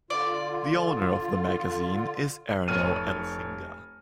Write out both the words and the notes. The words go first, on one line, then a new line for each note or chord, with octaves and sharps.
The owner of the magazine is Erno Elsinga.
D3 F4 D5
F1 C#5 F6 D#7